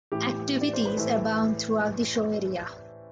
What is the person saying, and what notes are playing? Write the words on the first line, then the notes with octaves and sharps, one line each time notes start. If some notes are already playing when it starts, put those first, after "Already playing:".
Activities abound throughout the show area.
A2 E3 G4
D5
C5
B4
A2 E3 A4